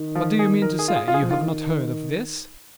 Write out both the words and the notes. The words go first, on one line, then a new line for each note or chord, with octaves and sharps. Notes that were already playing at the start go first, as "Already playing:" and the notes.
But do you mean to say you have not heard of this?
Already playing: D#3
F3
G#4
A#4
G#4
F4
G#4
F4
G#4
F3
D#3 F4